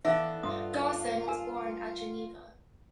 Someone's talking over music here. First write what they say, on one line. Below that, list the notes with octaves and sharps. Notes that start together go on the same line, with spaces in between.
Gaussen was born at Geneva.
E3 B3 D4 A4 E5 F5
G2 F4 C6 D#6
A#4 G#5